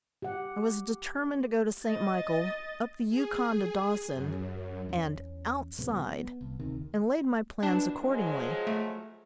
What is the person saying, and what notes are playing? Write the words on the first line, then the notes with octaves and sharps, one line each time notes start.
I was determined to go to St. Michael, up the Yukon to Dawson, and "outside," and laid my plans accordingly.
G4 F#5
D#5 A6
G#4
F#2
E2 C#4
D#1 B1 C#3 B3
B3
C2
D2 C3 D#3
B2 E3 D4
F3 F#3 G#3
A3